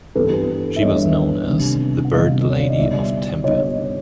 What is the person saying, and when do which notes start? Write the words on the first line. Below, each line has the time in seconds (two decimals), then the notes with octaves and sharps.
She was known as "the Bird Lady of Tempe".
0.15 G2 E3 G3 B3 D4 A4 B4
0.76 E5
0.81 G2 E3 G3 B3 D4 C#5 D#5
1.47 C3 D#3 G3 B3 D4
2.05 F#5
2.12 C3 D#3 G3 B3 D4 D#5 F5
2.50 C#5
2.59 D5
2.69 D#5
2.78 D3 G3 B3 D#4 D5 E5
3.44 D3 G3 B3 D#4 C#5 D#5